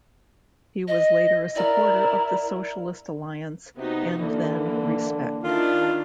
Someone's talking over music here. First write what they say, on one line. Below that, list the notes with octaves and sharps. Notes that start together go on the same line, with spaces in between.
He was later a supporter of the Socialist Alliance and then Respect.
D#5
E4 A#4 D5
C3 B3 D#4 F#4
D3 E3 A#3
D#3 D4 E4 F4